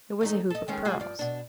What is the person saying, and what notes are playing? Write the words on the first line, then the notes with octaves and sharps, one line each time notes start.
It was a hoop of pearls.
E2 A3 D#4
A4 D#5
D#3 G#3 C#4
G#3 F4 F#4
G2 F3 D5
B2 D4